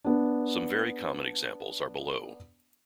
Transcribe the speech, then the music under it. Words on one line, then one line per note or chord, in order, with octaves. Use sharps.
Some very common examples are below.
B3 D4